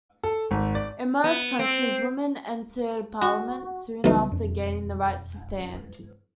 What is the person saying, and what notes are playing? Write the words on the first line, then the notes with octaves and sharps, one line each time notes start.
In most countries, women entered parliament soon after gaining the right to stand.
A4
G#1
D5
B3
C4
F#4
B1 C#3 E3 G3 B3 D#4
E1 F2 D4